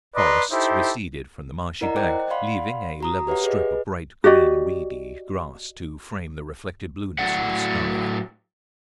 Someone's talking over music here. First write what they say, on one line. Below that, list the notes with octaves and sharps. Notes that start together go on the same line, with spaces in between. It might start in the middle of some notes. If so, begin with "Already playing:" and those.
The forests receded from the marshy bank, leaving a level strip of bright green, reedy grass to frame the reflected blueness of the sky.
B4 D5 D#5 A#5 C6
D#4 E4 G4 A4 C5
E4 A#4 D5 D#5 F#5 A#5
C5 D#5 G5 D6 F#6
D5 F5 F#5 B5 C6
F#4 A#5 D#6
G4 B4 C#5 E5 F#5
G#4 B4 D#5
F#4 G4 D5 D#5
A2 F#3 D5 F#5